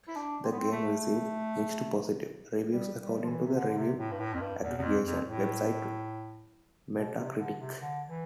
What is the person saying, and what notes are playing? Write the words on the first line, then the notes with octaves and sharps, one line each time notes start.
The game received "mixed to positive" reviews according to the review aggregation website Metacritic.
E4
D4
C4
B3
C4
A3
G3
G3
F3
E3
C3
D3
D3
C3
A2
G2
A2
F2
G2
E2
E2
F2
F2
A2
B2
C3
D3
C3
D3
E3